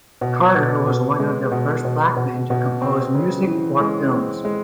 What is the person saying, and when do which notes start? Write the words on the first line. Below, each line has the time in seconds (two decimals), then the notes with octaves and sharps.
Carter was one of the first black men to compose music for films.
0.21 B2
0.54 B2
0.86 B2
1.20 G#3
1.51 B2
1.85 B2
2.17 B2
2.50 B2
2.82 C4
3.15 C#3
3.47 E3
3.80 G#3
4.12 C4
4.45 G#3